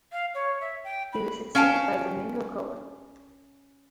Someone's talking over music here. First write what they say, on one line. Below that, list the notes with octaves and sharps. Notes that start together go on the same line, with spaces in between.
He was succeeded by Domingo Cullen.
F5
C#5
E5
G5
B5
C#4 F5 G5 A5